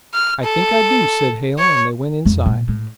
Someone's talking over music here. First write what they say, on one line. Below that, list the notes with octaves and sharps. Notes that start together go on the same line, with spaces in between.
"I think I do," said Hale, and they went inside.
F6
A4
C#5
F2
A#2
A2